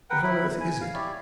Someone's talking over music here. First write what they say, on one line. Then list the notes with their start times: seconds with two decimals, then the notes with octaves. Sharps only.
"What on earth is it?"
0.10 A#4 B4 F#5 G5
0.23 E4 B5
0.60 G#5
0.81 F5
0.94 E4 G4 C#5 D5